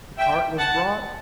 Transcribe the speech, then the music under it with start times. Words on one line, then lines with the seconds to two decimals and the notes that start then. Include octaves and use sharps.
The cart was brought.
0.18 E5 G5
0.57 F#5 A5